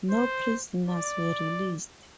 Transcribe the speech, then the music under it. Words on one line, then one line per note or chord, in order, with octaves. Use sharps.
No prisoners were released.
C5
D5